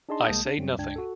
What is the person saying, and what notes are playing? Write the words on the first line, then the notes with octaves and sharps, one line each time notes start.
I say nothing.
D4 D#4 G#4 D#5 A5 C6
C2 G#3 A#3 A5 D#6 G6
D4
F#2 F#3 G3 C4
C#2 G2 D4 G5 G#6
F#4 A4